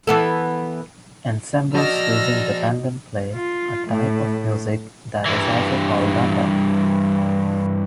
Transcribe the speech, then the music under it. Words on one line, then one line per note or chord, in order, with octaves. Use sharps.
Ensembles using the dundun play a type of music that is also called "dundun".
E3 B3 A4
F3 F#4 D5 D#5 E6 F6 A#6
F4
A2
G2 E3